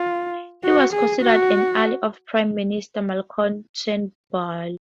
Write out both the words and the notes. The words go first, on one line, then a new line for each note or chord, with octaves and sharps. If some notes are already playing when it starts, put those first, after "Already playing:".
He was considered an ally of Prime Minister Malcolm Turnbull.
Already playing: F4
F#4
G#4
F#4